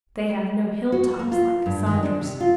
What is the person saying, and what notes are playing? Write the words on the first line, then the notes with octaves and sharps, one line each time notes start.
They have no hilltops like Cassandra's.
F#4
A#3
F4
G2
D#3
D4
C3
F4